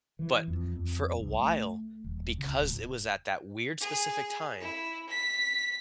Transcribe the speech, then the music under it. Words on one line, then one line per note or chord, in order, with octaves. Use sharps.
But for a while, because it was at that weird specific time,
E3
F2
F2
C2
A3
D#1
C#2
D1
G#4
E4
B6